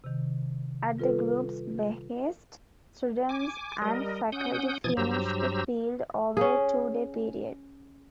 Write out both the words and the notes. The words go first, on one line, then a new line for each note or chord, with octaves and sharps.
At the group's behest, students and faculty finished the field over a two-day period.
C3 D#3
G3 F4 A4 B4
G#5 D6
G3 A#4 D#5
C#4 F#5 D#6 G6
B2 E3 F3 D#6 G#6 A6
G2 F#3 G4 C5 A#5 E6
C#4 G#4